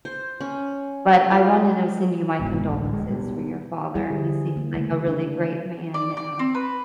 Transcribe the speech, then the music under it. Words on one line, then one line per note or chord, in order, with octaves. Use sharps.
but I wanted to send you my condolences for your father, he seems like a really great man, um,
C5
C#4
A3
F4
F1 A#1 G#2 B2
A1 D2
D1 G#3
B2 G3
F3 G3 E4 G#4 C5
D3
A#3
C#3 G3 A3
D4
D5
D5
C4
B4